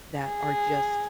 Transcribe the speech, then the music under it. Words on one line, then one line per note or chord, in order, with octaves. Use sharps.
that are just
G#4